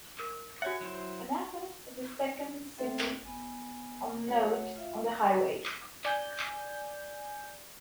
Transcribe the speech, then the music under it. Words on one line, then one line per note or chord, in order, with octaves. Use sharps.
Anapa is the second city of note on the highway.
A#4
F#4 C#5 E5 F#5 G#5
F#3 E4 C5
A3 C4 A4 C5 E5 G5
B3 G#5
A3 F#4 C#5 F#5
F4 E5 F5
D5 G#5 G6